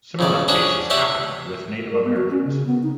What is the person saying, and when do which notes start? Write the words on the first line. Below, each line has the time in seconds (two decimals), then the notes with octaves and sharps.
Similar cases happened with Native Americans.
0.19 F2 C#3 D5
0.48 C#4 D4 F#4 G#4 C#5 D5
0.90 G4 C#5 D5 E5 F#5 G5
1.92 A#4
2.05 B3
2.16 F#4
2.31 C#4
2.45 C#3
2.66 B3
2.83 D#4